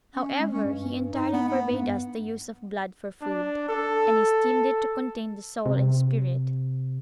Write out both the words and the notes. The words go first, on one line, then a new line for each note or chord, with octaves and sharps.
However, he entirely forbade us the use of blood for food, and esteemed it to contain the soul and spirit.
C#4
G#3
C#4
G2
D#4
B3
B3
G2
D4
A4
C3